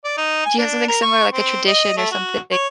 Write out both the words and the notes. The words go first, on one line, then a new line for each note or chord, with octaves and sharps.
do you have something similar, like, a tradition or something
D5
D#4
G#5
D4
A#4
C#6
C4
D#5
A3
F#4
C#5